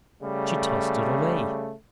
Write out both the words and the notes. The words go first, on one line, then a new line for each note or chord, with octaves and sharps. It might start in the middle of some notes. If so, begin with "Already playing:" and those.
She tossed it away.
C#3 G3 A3